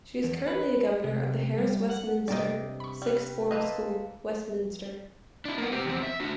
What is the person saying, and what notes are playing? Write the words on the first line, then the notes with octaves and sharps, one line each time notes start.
She is currently a governor of the Harris Westminster Sixth Form School, Westminster.
E2
B4
C3
G3
F#5
G2 C3 G3 A#3 D5 D#5 G5
B5 C#6
G3 B4
A#3 A4 B4 C5 D#5 F5
D4 E4
A#3 B3
C4 G4
E2 C4
E5
D4 F#4